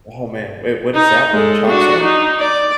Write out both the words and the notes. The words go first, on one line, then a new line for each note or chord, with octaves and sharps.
oh, man, wait, what is that one? Chalkzone?
D#4
G#3 A4
D4 F#4
D#4
D5